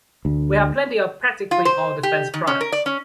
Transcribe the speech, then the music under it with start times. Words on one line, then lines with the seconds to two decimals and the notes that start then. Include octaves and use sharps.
We have plenty of practically all defense products.
0.25 D2
1.51 F4
1.65 C5
2.03 G4
2.34 D#3
2.47 C#4
2.61 A#4
2.72 D5
2.86 C#4